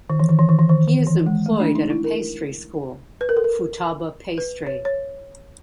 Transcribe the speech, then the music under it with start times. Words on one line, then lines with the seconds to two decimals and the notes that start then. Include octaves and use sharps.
He is employed at a pastry school, Futaba Pastry.
0.10 D#3
0.20 E3
0.29 D#3
0.39 E3
0.49 D#3
0.59 E3
0.69 D#3
0.88 D#3
1.07 E3
1.26 G#3
1.46 A3
1.60 D4
1.75 D#4
1.90 E4
2.04 A#4
3.21 B4
3.29 A#4
3.37 A4
3.44 A#4
4.38 B4
4.67 C#5
4.85 C#5